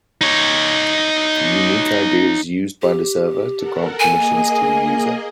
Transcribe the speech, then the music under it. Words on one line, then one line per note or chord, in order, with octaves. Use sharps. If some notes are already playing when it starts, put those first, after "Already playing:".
The unique id is used by the server to grant permissions to the user.
D#4 C#5
G4
A4 A#4 F#5
A#3 G#4 D#5 G#5